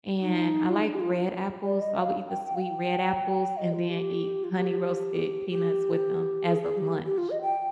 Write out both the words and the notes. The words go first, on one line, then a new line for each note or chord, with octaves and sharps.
and I like red apples, so I would eat the sweet, red apples and then eat Honey Roasted Peanuts with them as a lunch.
D#4
F4
D#4
D4
G4
F4
D5
D#5
F5
G5
G5
F5
G5
D#5
F4
G4
F4
G4
G4
G#4
G#4
G4
G4
F4
D#5
G5